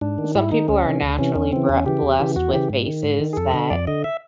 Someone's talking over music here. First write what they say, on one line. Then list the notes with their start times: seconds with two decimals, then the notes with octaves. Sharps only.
some people are naturally bre blessed with faces that,
0.01 G#2 D4
0.18 D#3
0.35 G#2 E4
0.52 D#3 D#4
0.68 D2 C#4
0.85 C3 E3
1.02 D2
1.18 C3 E3 C#4
1.36 E2 C#4
1.53 C#3 E3 C4
1.69 E2 C#4
1.86 C#3 E3 G4
2.02 E2
2.20 C#3 E3
2.36 E2 F#4
2.53 C#3 E3 G4
2.70 G#2
2.87 D#3
3.03 G#2
3.20 D#3
3.33 G#4
3.37 F2 A4
3.54 D3
3.70 F2 D5
3.87 D3 D#5
4.04 E5